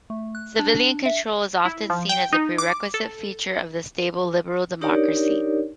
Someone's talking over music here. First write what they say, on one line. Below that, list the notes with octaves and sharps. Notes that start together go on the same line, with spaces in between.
Civilian control is often seen as a prerequisite feature of a stable liberal democracy.
A3
F#6
D4
E5
E4
F3
G5
D#4
D6
A4
D4 D#4 G4 A#4 C#5 D5